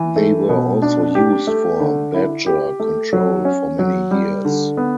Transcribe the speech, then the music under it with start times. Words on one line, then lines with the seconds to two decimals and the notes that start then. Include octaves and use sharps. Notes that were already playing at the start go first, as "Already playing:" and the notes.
They were also used for badger control for many years.
Already playing: E3
0.16 A3
0.49 B2
0.82 D4
1.15 G4
1.47 A3
1.80 D3
2.14 E4
2.46 G4
2.80 A3
3.13 F#3
3.45 C#4
3.79 F#3
4.11 G3
4.45 D3
4.77 B3